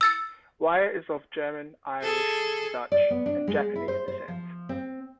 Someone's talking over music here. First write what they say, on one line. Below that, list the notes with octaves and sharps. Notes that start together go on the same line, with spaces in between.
Wire is of German, Irish, Dutch, and Japanese descent.
E6 A6 C#7
G#4 A4
D5
B3
D4
G#3
E4
C5
C5
F3
C4